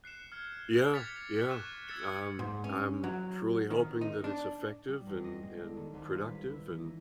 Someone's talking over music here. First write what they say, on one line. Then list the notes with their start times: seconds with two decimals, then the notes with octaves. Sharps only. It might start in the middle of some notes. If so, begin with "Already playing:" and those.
Yeah. Yeah, um, I'm truly hoping that it's effective and and productive, and,
0.04 F#6 C7 C#7 E7
0.32 F6 G#6
0.92 D6 G#6 A6 B6 C#7 F7
1.16 F7
1.49 C#6 F#6 E7
1.87 E6 G#6 A6 C#7 E7 G7
2.39 G#2
2.64 C#4
3.04 F#3
3.71 D#3
4.01 D#4
4.24 D4
4.88 G3
5.07 E2
5.24 D#5
5.43 G#3
5.61 D3
5.77 D#3
5.94 C2
6.10 F4
6.28 B4
6.50 E4
6.68 E3
6.84 D#4